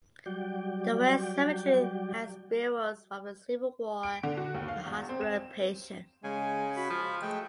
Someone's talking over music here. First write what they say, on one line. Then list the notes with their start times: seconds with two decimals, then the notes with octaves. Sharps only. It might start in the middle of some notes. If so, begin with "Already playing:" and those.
The West cemetery has burials from the Civil War and hospital patients.
0.26 F#3 G3 F#4 D5 G5
4.03 D7
4.23 D3
4.37 F#4
4.55 D#2
4.68 F5
4.86 E2
5.09 C4
5.21 E7
6.24 C#3 G#3 G#5
6.76 F#4 B5
6.90 F3 F4
7.22 G#3 A3 G5